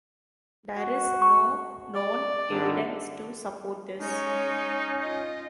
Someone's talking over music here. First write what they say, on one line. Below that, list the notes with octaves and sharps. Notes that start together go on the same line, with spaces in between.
There is no known evidence to support this.
F#4
C#6
D5
G#1 D3
G#3 C#4 D#4 C#5
F4 D#5